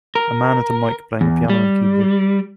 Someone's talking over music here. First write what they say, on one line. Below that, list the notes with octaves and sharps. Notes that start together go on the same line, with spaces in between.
A man at a mic playing a piano and keyboard.
A#4
E2
G3